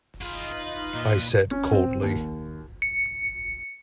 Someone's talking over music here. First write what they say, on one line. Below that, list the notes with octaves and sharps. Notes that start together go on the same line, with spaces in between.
I said coldly.
D#4 F4 G#4 B4 D#5
B4
A#2
C#4
C4
D#2
C#7